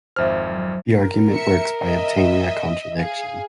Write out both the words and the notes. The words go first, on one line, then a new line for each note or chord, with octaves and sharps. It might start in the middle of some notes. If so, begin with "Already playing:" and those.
The argument works by obtaining a contradiction.
G#1 F2 C5 E5 F6
F#3
A#4
E5 C#7
D#5 E5
G#4 F5